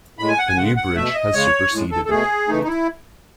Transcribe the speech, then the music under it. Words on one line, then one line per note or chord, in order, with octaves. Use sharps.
A new bridge has superseded it.
A2 G#3 B5
G#5
F#5
G#5
C#3 G#3 F#5
F#5
B2 A3 E5
D#5
C#3 G#3 C#5
A2 G#3
A4
A4
B2 A3 G#4
C#3 E3 A3 D#4
D#4
E4